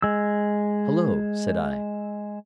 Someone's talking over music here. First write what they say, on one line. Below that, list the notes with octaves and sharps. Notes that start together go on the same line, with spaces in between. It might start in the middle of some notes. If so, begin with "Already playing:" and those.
"Hullo," said I.
G#3 E6